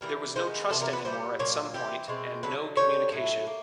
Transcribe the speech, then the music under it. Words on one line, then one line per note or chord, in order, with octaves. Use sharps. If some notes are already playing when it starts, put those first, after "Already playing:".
There was no trust anymore at some point and no communication.
E3 G3 A#3 A#4
D#3 G#3 B3 C5
C3 E3 B3 A4
A#4
B4
A#2 G3 B3 C5
A#2 F#3 A#3 C#5
E3 G3 C4 G4
B2 G#3 C4
D3 F#3 B3 B4
D3 G3 C4 C#5
A2 F#3 A3
A#3